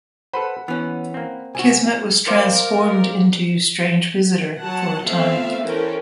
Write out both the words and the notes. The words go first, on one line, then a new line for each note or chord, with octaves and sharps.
Kismet was transformed into Strange Visitor for a time.
A4 B4 C5 F#5 B5
E3 B3 C#4
A#3 C4
C2 F#4 G#5
A#4 C5 D5 F5
F#3 F#5 A5
A3 B3 C4 F4 E5 F5
E3 C#4 A4 A#4 C5 G5